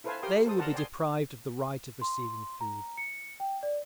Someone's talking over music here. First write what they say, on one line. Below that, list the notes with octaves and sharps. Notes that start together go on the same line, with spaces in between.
They will be deprived of the right of receiving food.
E4 A4 B4 C5 F5 G#5
G4 A#4 G5 C6 D#6
A4 C5 D#6
A#4 D5 F#5 A5 A#5 C6
D5 G5 G#5 C6 D#6
C6
A#5
C#7
G5
D5